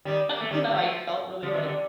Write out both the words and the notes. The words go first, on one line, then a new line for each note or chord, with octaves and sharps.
I don't know, I felt really, like
D#3 G3
A#3
A3
D#3 G3
G3
F3 A3
D3 F3
C3 D#3
D3